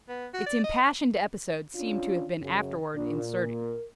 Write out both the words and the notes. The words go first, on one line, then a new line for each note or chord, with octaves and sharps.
Its impassioned episodes seem to have been afterward inserted.
B3
F#4
D5
D#5
C#4 D4 F4
F#2 C#3
A#2 D4
A#4